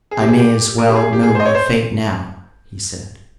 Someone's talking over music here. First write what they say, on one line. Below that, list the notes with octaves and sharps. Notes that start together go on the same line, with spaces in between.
"I may as well know my fate now," he said.
G#4
G4
G#4
G4
A#4
G4
G#4
G4
G#4
C5
D#5
C#5
C5